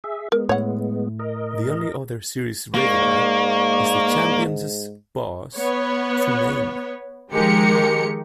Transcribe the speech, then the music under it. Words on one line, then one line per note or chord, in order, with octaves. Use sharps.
The only other series regular is the Champions' boss, Tremayne.
G#4 E5
G#3 B3 A#4
A2 C#5 F#5
A#4 D#5
G#2 A#3 D5 C#6
B3 C#5
D#3 F3 G#3 G4 A#4 C#7